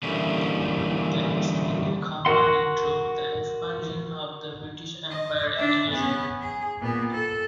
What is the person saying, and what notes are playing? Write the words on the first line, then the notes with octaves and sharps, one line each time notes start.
The East India Company drove the expansion of the British Empire in Asia.
D3 E3 G3 A#3 C#4 E4
F#4 A#4 F#5 C6
D#5
D4 E5
B3 C#4
G#4
A#2 B3
A4